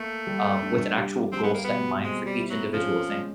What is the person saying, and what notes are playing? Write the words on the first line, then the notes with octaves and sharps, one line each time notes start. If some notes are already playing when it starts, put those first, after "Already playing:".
um, with an actual goal set in mind for each individual thing,
Already playing: A3 A#3
G3
D4
G4
G3 C4
B3
A#3
B2 B3
G#3 C4
G3
E4
F#3
F3 C#4
G#3